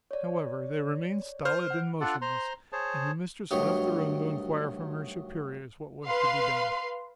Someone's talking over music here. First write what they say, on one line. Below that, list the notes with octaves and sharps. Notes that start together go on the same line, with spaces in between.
However, they remained stolid and motionless, and the mistress left the room to inquire from her superiors what was to be done.
C#5 D5
C5 F6
F#5
D4 F4 A4 D5 F#5
C5 A#5 C6
G#4 C5 C#5 A5
D2 G2 D#3 F#3 D#4 C#5
B4 F5 C6